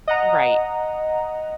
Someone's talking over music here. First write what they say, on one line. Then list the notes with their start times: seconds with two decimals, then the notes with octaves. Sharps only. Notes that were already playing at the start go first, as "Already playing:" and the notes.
You're right.
0.08 D#5 F#5 A#5